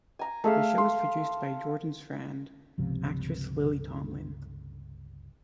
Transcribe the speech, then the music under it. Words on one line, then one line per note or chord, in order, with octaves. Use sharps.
The show is produced by Jordan's friend, actress Lily Tomlin.
G#5 A#5
A3 G#4 A4 E5 F5
C6
G1 C#2 C3 F3